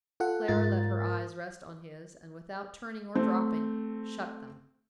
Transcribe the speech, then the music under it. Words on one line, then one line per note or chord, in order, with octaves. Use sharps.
Clara let her eyes rest on his and, without turning or dropping, shut them.
F4 A4 F#5
G#2 F4 A#4 A6
A3 C4